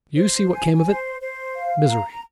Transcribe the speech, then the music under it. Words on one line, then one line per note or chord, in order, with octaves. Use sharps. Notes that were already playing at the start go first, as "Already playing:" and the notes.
"You see what came of it--misery."
C5
G#5
C5
C5
F5
A#5